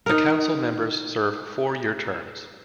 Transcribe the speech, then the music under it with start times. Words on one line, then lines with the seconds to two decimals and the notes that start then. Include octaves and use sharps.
The council members serve four-year terms.
0.06 D#4 A#4